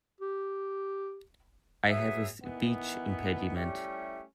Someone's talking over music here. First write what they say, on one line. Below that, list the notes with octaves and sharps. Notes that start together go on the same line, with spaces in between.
I have a speech impediment.
G4
F#3 B3 G#4 E5
D#3 E3 B3
G3 A3 C#4 E4 G4